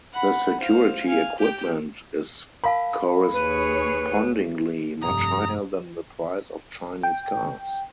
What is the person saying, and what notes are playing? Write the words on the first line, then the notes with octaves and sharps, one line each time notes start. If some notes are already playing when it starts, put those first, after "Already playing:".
The security equipment is correspondingly much higher than the price of Chinese cars.
F#5 B5
C5 F5
F5 G#5
G4 G5
A#4 F5 A5 B5
D#2 G#4 B4 C#5
F1 G2 A#5 D#6
G5